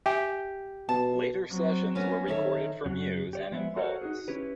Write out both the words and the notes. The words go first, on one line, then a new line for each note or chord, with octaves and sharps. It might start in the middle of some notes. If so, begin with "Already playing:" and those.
Later sessions were recorded for Muse and Impulse.
G4 E5 G5 G#5
B2 A5
F#3 C4
A#3 B3 C#4
D#3 A4 C#5 E5
F#2 C#3 F#3
G4 C#5 D5
F3 G#3 B3 E5
F#4 A4 A#4 C5 C#5 F#5
D#4 F#4 G#4
C#4 E4 G4 B4